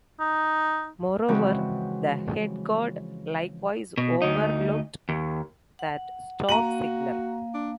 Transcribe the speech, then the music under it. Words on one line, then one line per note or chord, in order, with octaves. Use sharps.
Moreover, the head guard likewise overlooked that "stop" signal.
D#4
C#3 E3 F3 G#3 C4 F#4
B2
D2 D#4
D#2
F#5
A#3 F#4 F5 A#5 D#7 F#7
D4